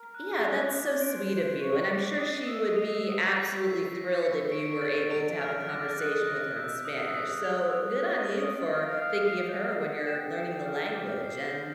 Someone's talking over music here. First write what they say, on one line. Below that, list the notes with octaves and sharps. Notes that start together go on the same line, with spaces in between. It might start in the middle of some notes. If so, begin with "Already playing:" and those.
Yeah, that's so sweet of you, and I'm sure she would be absolutely thrilled if you were able to have a conversation with her in Spanish, so good on you for thinking of her when you're learning the language, and,
Already playing: A#4
F#6
D#5 F7
D5 G#6
C5 D7
D7
C#5 F7
D5 C#7
D#5 C7
E6
F7
C7
C#5 B6
B6
A#6
C#7
D7
A6
F7
F6
D5 A#6
D#5 F#6
D#5 A#6
E5 G6
E5 D#6
D#6
F7
F7
D#5 A6
D7
F5 A6
C7
D6
G6
F#5 A6
G5 E7
C#7
F6
D6
C7
G6